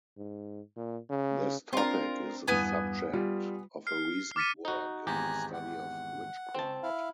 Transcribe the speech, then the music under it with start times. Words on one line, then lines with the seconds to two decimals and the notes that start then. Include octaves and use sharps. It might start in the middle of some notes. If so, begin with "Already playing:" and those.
This topic is the subject of a recent work in the study of witchcraft.
0.17 G#2
0.77 A#2
1.09 C#3
1.73 C4 D4 F4 A#4
2.48 E2 G2 B3 G#5
3.13 G3 F4
3.87 F6 C7
4.36 D6 F6 A6 B6 C#7 D#7
4.65 D#4 F#4
5.07 G#1 E2 G4 G#5 A#5 F#6
5.53 F#5
6.55 C4 A5
6.83 E4 F5